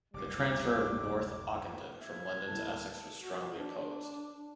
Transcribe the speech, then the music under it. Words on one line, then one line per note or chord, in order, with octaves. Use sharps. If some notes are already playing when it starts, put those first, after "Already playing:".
The transfer of North Ockendon from London to Essex was strongly opposed.
F#1 D2 C3 G3 D6
E5 G#6
D1 A3 A#3 E4 A5
F#4
D4